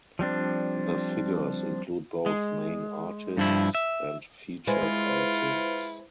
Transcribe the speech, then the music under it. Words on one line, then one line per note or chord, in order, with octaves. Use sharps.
The figures include both main artists and featured artists.
F3 G3 C4 D4
G#3
G2 F3 E4
E5
G#3 E4 F4 B4 C5